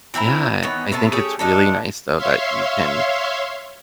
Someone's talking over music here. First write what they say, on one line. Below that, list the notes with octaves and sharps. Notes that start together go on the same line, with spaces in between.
Yeah. I think it's really nice though that you can
E3 C4 E4 A#4
D#3 E3 B3 C#4
C3 A3 B3 A5
A3 C#4 G4 G#4
D4 D#4 A4
C#5 E5 F5 C6